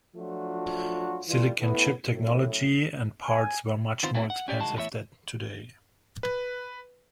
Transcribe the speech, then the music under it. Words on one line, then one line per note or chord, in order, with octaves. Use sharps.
Silicon chip technology and parts were much more expensive than today.
F3 F#3 A3 D4 F4 F#4
E3 G3 A3 F4
A2 B3
F#2 A2
G#5
D#3 B3 C4 F4 C5
A3 A#3 C4 E4 F#4
F#5
C#4 G4 D5
C2 D#3 G#3 F#4 A5
E2 A2 G4 B4 C#5 E5
B4